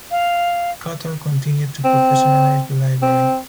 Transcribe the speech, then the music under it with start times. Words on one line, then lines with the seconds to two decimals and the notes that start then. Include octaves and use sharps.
Cutter continued to professionalize the library.
0.11 F5
1.85 C4
3.02 C4